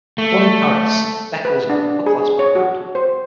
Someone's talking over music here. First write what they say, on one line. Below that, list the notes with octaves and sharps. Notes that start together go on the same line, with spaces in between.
Born in Paris, Becker was of an upper-class background.
A3
B4
D4
G#4
C#5
F#4
C5